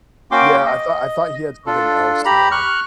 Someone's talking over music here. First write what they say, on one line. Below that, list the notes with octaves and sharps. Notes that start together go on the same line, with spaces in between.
Yeah, I thought I thought he had something else though.
A#3 C#4 F#4 G5 C6 D6
D#5
D4 F4 A4
G4 A#5 B5
C#6 F6 F#6